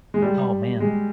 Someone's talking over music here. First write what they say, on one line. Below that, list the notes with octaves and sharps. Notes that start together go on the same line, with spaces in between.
Oh, man.
G#3
G3
G#3